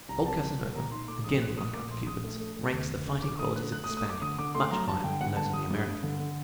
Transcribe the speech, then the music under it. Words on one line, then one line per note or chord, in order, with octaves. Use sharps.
Old Casanova, again like other Cubans, ranks the fighting qualities of the Spaniard much higher than those of the American.
C2 A#5
C3 A5
C2
G3
A#2 A#5
D#4 C6
A3 D6
A#1 D#6
A#2 F#6
A3 D#6
A#2 D6
A#1 C6
A#1 D#6
A3
A3
A3
D2
D2
D3
D3 D6
A3 D#6
D3 F#6
A3 F#6
D#6
A3
D#6
A3 D6
D3 D#6
D3 D6
A3 C6
F#3 A#5
G2 A5
D3 G5
G2 F#5
D3 A5
G2 D#6
G2
G2
D3
D3